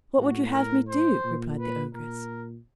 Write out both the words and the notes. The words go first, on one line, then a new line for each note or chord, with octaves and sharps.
"What would you have me do?" replied the ogress.
A2 F#4
A#4
C5
A#2
B4
A#2 A#4